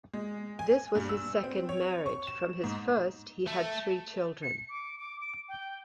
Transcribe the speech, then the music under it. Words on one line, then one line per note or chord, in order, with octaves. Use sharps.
This was his second marriage; from his first, he had three children.
G#3
G#5
G2
E6
C4
C#5
C#6
E7
G#2
A3
C#7
D6
D6
D7
G5